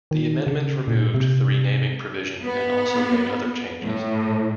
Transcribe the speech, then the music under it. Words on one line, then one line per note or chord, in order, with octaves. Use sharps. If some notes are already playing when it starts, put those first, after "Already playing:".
The amendment removed the renaming provision and also made other changes.
D#3
C#3
A#2
C3
B3
A2